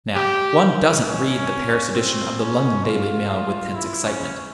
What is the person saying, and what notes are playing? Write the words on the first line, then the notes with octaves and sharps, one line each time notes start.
Now one doesn't read the Paris edition of the London Daily Mail with tense excitement.
G4
C#4
C4
C#4
F4
E4
C#4